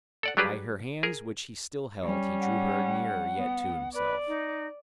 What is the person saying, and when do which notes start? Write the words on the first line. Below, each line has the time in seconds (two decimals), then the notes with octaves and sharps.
By her hands which he still held he drew her nearer yet to himself.
0.23 A4 D5 F#5
0.37 F#3 G3 D4 G4 G#4 B4
1.03 G#4 A#4
2.02 G3 C#4
2.40 F#5
3.37 B3
3.95 B4 D5
4.27 D#4